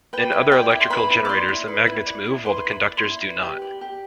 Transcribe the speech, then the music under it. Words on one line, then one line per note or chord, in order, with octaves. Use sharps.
In other electrical generators, the magnets move, while the conductors do not.
B4 G5
E4
D5 G5
E4
C6
B4 B5
E4
D6
D5 C6
E4
B4
E4
D5
E4
B4 C6
E4
B5
D5
C6
E4
B4
G4
D5
G4